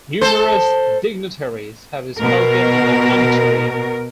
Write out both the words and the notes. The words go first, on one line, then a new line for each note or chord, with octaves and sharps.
Numerous dignitaries have spoken in the Auditorium.
A4 C5
B2 A#4